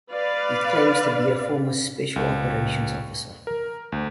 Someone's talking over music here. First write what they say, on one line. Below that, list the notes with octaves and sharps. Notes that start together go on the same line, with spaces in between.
He claims to be a former special operations officer.
B4 D5 F5
C#2
A#4
D2